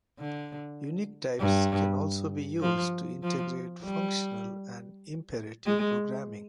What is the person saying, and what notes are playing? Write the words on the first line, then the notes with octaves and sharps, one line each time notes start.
Unique types can also be used to integrate functional and imperative programming.
D3
G2
F3
F3
G3
G#3